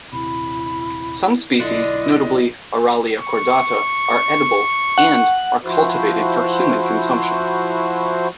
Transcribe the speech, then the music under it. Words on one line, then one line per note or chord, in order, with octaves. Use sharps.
Some species, notably "Aralia cordata", are edible and are cultivated for human consumption.
D#1 C3 E4 B5
B1 D3 D4 E4 F4 D#5
C#6
F#5
F3 E4 F#4 C5